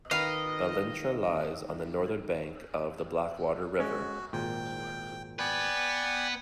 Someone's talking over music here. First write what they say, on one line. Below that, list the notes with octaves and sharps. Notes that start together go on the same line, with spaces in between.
Ballintra lies on the northern bank of the Blackwater river.
D#3 B4 D#5 F5
G#3 C#4 F#4
G#1 A#2 G5
B3 B4 D5 G5 G#5